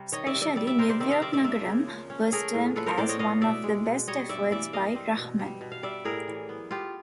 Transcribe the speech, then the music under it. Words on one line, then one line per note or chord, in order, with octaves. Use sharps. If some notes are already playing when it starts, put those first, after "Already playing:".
Especially, "New York Nagaram" was termed as one of the best efforts by Rahman.
Already playing: C3 G3
D#3 C#5 D#5
D5 E5
C3
D5 E5
G3 D5 E5
D5 E5
C3 A#4 C5
C5 D5
D#3 D5 E5
D#5 F5
C4 D5 E5
D5 E5
A#3 D5 E5
C#3
F3
C#4
A3 G#4 A#4
A2
F3 A4 B4
A#4 C5
A2 C5 D5
C#5 D#5
B3 D#5 F5
B2 D5 E5
G#3
B2
G3 C#5 D#5
G2 D5 E5
E3 D5 E5
A#3 D#5 F5
C4
B2
G3
B2
F5
G3 D5 E5
A2 G#4 A#4
E3
B3
B3 F4 G4